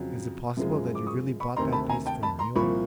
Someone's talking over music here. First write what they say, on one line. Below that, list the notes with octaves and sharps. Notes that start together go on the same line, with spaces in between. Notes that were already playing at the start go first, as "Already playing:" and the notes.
'Is it possible that you really bought that beast for a mule?'
Already playing: F2 C#3 F#3
F#2 C#3 F3 G#3
D6
C#6 D#6
B5 C#6
D2 C3 D#3 A#5 C6
A5 B5
G#5 A#5
G5 A5
A5 B5
A#5 C6
C2 A#2 F3 A#3 B5 C#6